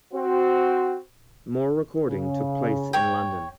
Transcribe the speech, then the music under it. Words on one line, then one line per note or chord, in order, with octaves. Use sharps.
More recording took place in London.
C4 F#4
C#3
C#5 G5